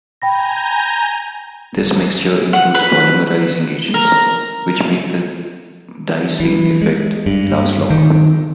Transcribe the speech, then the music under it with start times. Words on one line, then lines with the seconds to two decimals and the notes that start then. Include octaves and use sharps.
This mixture includes polymerising agents, which make the deicing effect last longer.
0.22 G5 G#5 A#5 B5 G6 A#6
2.53 F#5
2.75 B4
3.94 A#4
6.40 E3
6.82 G#3
7.26 G2
7.90 D#3